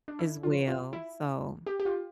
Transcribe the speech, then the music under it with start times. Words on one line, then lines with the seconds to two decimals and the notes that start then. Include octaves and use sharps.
as well, so
0.08 D4
0.19 E4
0.43 F4
0.68 F4
0.93 E4
1.67 G4
1.80 G4
1.85 F4